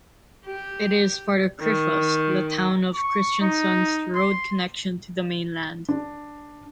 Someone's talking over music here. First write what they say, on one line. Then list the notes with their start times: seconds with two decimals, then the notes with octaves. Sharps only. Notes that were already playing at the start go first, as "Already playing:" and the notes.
It is part of Krifast, the town of Kristiansund's road connection to the mainland.
0.46 G4
1.61 D#3
2.94 C#6
3.41 D#4
4.15 C6
5.89 D4